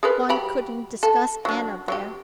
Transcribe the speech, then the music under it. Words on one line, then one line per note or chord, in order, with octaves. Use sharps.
One couldn't discuss Anna there.
G#4 A#4 B4
F#3 G4 B5
A4
F#3 D4
F#3 G4